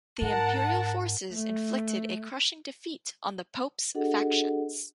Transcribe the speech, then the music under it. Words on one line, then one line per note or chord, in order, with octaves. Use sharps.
The Imperial forces inflicted a crushing defeat on the Pope's factions.
G#2 A#4 F#5 A5
A3
D4 F#4 G#4 A4 D#5 F#5